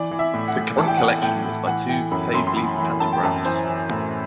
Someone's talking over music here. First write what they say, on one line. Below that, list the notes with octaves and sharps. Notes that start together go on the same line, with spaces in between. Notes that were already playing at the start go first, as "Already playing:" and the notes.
The current collection was by two Faiveley pantographs.
Already playing: E3 D5
E3
E5
A2
F#5
A2
E3 A5
G5
E3 F#5
G5
A2 G5
A2
E3 F#5
E3 G5
F#2 B5
F#2 C6
C6
E3 B5
E3
F#2 A5
G5
F#2 A5
E3 C5
E3
A2